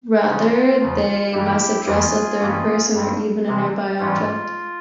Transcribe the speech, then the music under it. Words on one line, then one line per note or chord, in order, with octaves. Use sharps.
Rather, they must address a third person or even a nearby object.
C#3 E3 G#3 C#4 F4
E2 C#3 F3
G2 E3 G3 A#3 E4 G4
F2 E3 G3 A#3 C#4 F4 G#4
G2 E3 A#3 C#4
G2 G3 C4
C3 E3 G#3 C4
G#2 E3 G3 C#4 F4